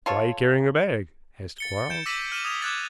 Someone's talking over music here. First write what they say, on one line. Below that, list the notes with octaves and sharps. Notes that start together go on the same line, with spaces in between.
"Why carrying a bag?" asked Quarles.
F4 A4 C#5
A6 C#7 G7
G6 D7 E7
D6 E6 A#6 B6 D#7 F#7
F6 G6 D#7 E7 F#7
D#6 G#6 F7
D6 F6 F#6 G#6 A6 B6